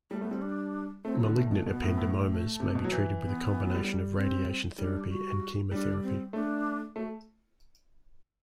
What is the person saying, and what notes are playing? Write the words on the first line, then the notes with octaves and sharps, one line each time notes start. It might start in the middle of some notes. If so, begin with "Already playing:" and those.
Malignant ependymomas may be treated with a combination of radiation therapy and chemotherapy.
G3 A3
A3 B3
G3 C4
D4
A3 C4
F#3
D3 B3
A2 A3
B2 A3
B2 B3
A2
A2
A3
C3
B2
F#3
E3
B3
E3
F#3
G3
G3
C4
G3 D4
F#4
G3 D4
C4
A3 D4
A3 F#4